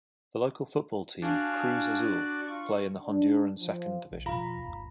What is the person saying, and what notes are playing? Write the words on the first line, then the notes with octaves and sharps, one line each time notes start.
The local football team, Cruz Azul, play in the Honduran second division.
D4 F#4 D5 F5 G#5 A5
F4 C#6
D4
F3
A#1
F2 B2 F3 F4 A#5 B5
G1 D#2